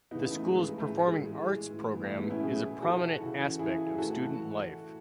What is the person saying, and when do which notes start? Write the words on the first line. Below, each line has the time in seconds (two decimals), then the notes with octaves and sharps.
The school's performing arts program is a prominent aspect of student life.
0.11 C#3 E3 B3 D#4
0.31 A3
0.50 G#3
0.60 A3
0.78 A3
0.89 A2 E3 A3
1.08 G#3
1.66 A2 E3
1.95 B3
2.04 A3
2.18 G#3 B3
2.31 C#4 E4
2.43 B2 F#3 E4 G#4
2.82 F#4 A4
3.20 C#3 E3
3.59 E4 G#4
3.98 A2 E3 F#4 A4